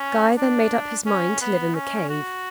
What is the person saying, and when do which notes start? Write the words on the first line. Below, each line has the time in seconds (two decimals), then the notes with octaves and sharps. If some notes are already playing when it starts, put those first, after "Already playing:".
Guy then made up his mind to live in the cave.
Already playing: C#4
0.37 D4
1.06 C#4
1.41 B3
1.74 C#4
2.09 F#4